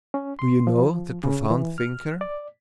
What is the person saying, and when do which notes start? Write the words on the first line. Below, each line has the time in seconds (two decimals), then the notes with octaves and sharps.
Do you know that profound thinker?
0.14 C#4
0.39 C6
0.67 F3
1.24 C#3
1.50 E3
1.78 F6
2.21 D5